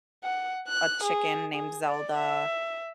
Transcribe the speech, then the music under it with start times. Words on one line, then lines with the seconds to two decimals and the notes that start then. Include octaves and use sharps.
a chicken named Zelda,
0.24 F#5
0.67 F#6
1.04 G#4
1.54 G#4
1.85 D5
2.17 E5